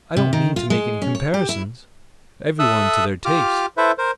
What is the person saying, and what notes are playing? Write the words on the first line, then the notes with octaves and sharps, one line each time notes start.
I don't mean to make any comparisons; every one to their taste.
C3
D#3
F4
G#3
C#4
C#5
G4
E4
A4 E5 D#6 E6 F#6
F4 G4 D6 F6
E4 A4 B4 C5 E5
A#4 C5